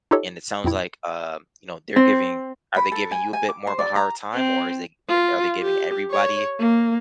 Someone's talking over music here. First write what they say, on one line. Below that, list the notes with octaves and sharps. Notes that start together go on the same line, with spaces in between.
and it sounds like, um, you know, they're giving are they giving you a bit more of a hard time, or is it i are they giving everybody,
D#4 F4 G4 A4 C#5 D#5
F2 A#2 C4 E4
C4
B5
A4
G#5
G#5
D6
C5
D5
A#5
C4
F4
G4
C#5
A#3